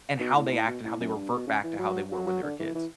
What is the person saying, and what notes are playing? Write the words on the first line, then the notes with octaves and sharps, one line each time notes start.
and how they act and how they revert back to how they were when they were kids.
B2
A2
A2
B2
A2
F#2
G2
B2
C#3
E3
F#3
F#3
F#3
D3
E3
E3